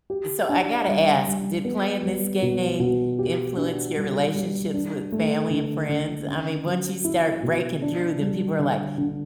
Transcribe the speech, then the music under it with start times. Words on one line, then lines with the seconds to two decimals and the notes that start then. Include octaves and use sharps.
So, I gotta ask, did playing this game influence your relationships with family and friends? I mean, once you start breaking through, then people are like,
0.10 G4
0.49 D4
0.87 G3
1.25 G3
1.65 B3
2.03 G3
2.42 B2
2.80 B2
3.19 G4
3.57 D4
3.95 G3
4.35 G3
4.74 D4
5.12 A3
5.50 D3
5.89 D3
6.27 C#4
6.66 F#3
7.05 E4
7.43 B2
7.82 D4
8.20 G3
8.59 D3
8.98 D3